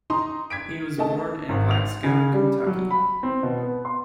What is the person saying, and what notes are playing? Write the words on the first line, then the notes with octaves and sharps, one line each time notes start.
He was born in Glasgow, Kentucky.
D#4 A#5 C6
G#6 B6 D7
D#3 A3 D#5 A5
G#1
F7
C#3
G3
F#3
B5
C4
B2
B3
C6